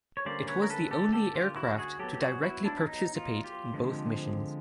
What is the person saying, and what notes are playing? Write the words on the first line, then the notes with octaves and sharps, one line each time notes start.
It was the only aircraft to directly participate in both missions.
C#5
D3 G3 A#3 C#4 C5 D5
B4 C#5
A#4
A4 B4
G4 A4
G4 A4
F4 G4
E4 F#4
F#4 G#4
F#3 B3 G4 A4
G4
F#4 G#4
E4 F#4
D4 E4
E4
D#4
D#4 F4
F4 G4
D3 F3 G#3 C4